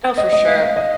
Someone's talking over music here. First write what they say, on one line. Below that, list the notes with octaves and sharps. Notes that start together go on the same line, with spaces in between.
Oh, for sure,
D#5
D#5
F5
F5
D#5